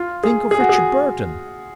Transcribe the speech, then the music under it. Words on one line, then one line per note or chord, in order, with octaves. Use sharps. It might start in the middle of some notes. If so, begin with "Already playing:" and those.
Think of Richard Burton!
Already playing: F4
G#4
G#4
F#4
G#4